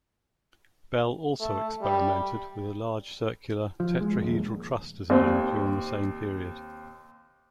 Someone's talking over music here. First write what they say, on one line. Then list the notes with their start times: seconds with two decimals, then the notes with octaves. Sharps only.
Bell also experimented with a large circular "tetrahedral truss" design during the same period.
1.40 A3
1.82 G3
3.80 F3
4.01 G#3
4.21 D#1 A#1
5.10 D#2 C4